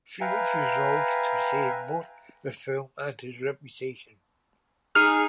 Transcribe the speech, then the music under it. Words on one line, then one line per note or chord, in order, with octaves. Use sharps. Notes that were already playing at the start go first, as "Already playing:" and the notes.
Felix resolves to save both the film and his reputation.
B4 E5 F5 G5 G#5 A#5
D#4 G#4 F6